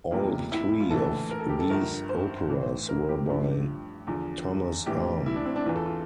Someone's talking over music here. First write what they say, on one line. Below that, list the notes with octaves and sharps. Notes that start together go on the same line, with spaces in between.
All three of these operas were by Thomas Arne.
F1 E2 C3 F3 A#3
E4
E4
F4
A#1 A2 E3 A4
A4
A#4
A4
G4
A4
G1 G2 F3 A#4
C5
A1 A2 E3
A#4
G4
A1 G2 F3
E2 D3 F3
A#1 A2 E3 G4
E4
D4
C4
D4
E2 E3 F4
A4
F4